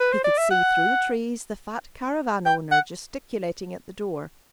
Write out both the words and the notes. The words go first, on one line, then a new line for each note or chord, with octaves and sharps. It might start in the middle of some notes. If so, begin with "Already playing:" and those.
He could see through the trees the fat caravan-owner gesticulating at the door.
B4
C5
D5
E5
F#5
G5
F#5